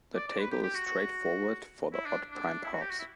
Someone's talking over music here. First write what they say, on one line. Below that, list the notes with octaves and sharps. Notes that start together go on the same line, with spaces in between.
The table is straight forward for the odd prime powers.
D5
D5
B4
G4
G4
F#4
F#4
E4
D4
D4
E4
F#4
G4
F#4
E4